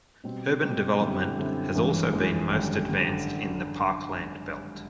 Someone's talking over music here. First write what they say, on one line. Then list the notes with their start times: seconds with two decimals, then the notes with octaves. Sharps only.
Urban development has also been most advanced in the parkland belt.
0.24 B2 G3 C4
0.62 B2 G3 C4
1.00 F#2 D3 G3 C4 E4
1.38 F#2 D3 G3 C4 E4
1.75 A1 G2 E3 G#3
2.13 A1 G2 E3 G#3
2.51 G#1 F#2 D3 G3
2.88 D3 G3